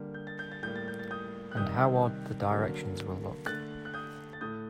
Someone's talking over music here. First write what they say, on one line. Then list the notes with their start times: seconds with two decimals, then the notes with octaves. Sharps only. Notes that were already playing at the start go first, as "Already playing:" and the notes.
And how odd the directions will look!
Already playing: D3 G3 A#3
0.14 G6
0.27 A6
0.39 G6
0.52 A6
0.63 A2 G3 A#3 G6
0.76 A6
0.88 G6
0.99 A6
1.11 D#6 G6
1.51 F#6
1.57 C3 D#3 G3 D#6 G6
2.51 D3 F#3 A#3
3.46 D3 A3 F#6 A6
3.85 F#6
3.94 D#6 G6
4.33 A6
4.41 A2 A3 D#6 G6